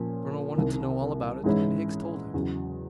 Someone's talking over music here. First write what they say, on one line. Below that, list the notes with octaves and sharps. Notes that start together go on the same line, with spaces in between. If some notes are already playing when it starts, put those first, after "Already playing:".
The Colonel wanted to know all about it, and Hicks told him.
Already playing: A#2 F3 A#3 C#4
C2 C3 D#3
G#2 E3 G#3 C#4 E4
E2 C#3 F#3